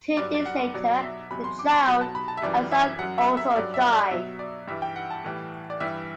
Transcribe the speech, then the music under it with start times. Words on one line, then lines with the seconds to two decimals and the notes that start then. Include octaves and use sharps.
Two days later the child, a son, also died.
0.17 G2 F#3 D5
0.35 D5
0.46 F#5
0.74 B2 F#3 D5
1.03 E5
1.31 E2 C3 F#3 B5
1.44 C6
1.59 D6
1.73 C6
1.86 B2 F#3 B5
2.01 A5
2.15 B5
2.28 A5
2.37 E5
2.42 F#2 E3 G3 D5
2.71 E5
2.99 F#2 F#3 F#5
3.18 E5
3.37 E5
3.56 G2 F#3 D5
3.74 E5
3.92 D5
4.11 B2 F#3 E5
4.39 D5
4.68 G2 E3 G3 E5
4.82 G5
4.96 F#5
5.10 A5
5.24 A2 E3 G3
5.70 D5
5.80 G2 E3 G3 E5